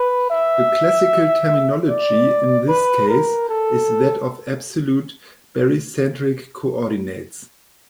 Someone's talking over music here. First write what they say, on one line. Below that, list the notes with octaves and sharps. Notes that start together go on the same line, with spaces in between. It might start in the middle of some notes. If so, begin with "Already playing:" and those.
The classical terminology in this case is that of absolute barycentric coordinates.
Already playing: B4
E5
D5
B4
A#4
A4